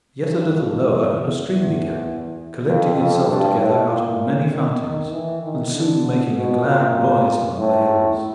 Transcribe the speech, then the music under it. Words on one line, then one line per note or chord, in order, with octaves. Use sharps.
Yet a little lower and a stream began, collecting itself together out of many fountains, and soon making a glad noise among the hills.
G2
F2
E2
E2
E2
F2
F2
G2
A2
A#2
D#3
D#3
E3
D#3
D3
B2
A#2
A2